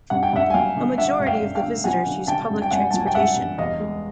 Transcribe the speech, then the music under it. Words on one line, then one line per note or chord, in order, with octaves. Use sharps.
A majority of the visitors use public transportation.
G2 F#5
G5
G2 E5 F#5
G#5
F#3 F5 G5
D3
D3 E5 F#5
G2
F5 G5
G2
F5 G5
D3
F#3 F#5 G#5
D3
D3 G5 A5
G2
G5
G2 F#5 G#5
A5
F#3
G#5
G5
G2 E5 F#5
G2
E2 D#5 F5
G#3